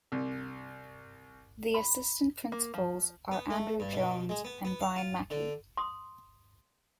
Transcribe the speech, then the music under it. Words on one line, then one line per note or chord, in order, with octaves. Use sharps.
The assistant principals are Andrew Jones and Brian Mackey.
C2
B5
A#3
F3
B3
A3
G2
B2
G#3
B3
B3
F5
F4
D3
C6 D#6